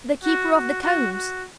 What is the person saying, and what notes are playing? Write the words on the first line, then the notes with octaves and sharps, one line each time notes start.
The Keeper of the Cones!
F#4
F#4
F#4
F#4